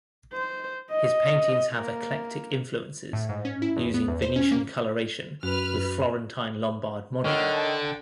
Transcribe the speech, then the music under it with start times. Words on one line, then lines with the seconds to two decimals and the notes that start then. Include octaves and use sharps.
His paintings have eclectic influences using Venetian coloration with Florentine-Lombard modeling.
0.33 C5
0.91 D#5
1.75 A#3
3.13 A2
3.29 G#2
3.45 C#4
3.62 E4
3.76 E2
3.94 B3
4.08 E2
4.22 C5
4.36 C#4
4.51 A#3
5.43 F#2 F#4 B4 F6
7.25 D3 D#3 C#5 F#5 F6
7.56 G5 A5